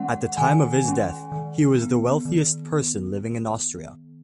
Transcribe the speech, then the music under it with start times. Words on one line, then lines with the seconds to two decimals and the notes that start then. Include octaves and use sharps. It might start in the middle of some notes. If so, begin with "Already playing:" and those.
At the time of his death, he was the wealthiest person living in Austria.
Already playing: D#3 G#3 C#4 F#5
0.37 D#3 G#5
0.85 G#3 C#4
1.32 D#3
1.78 B3
2.25 D#3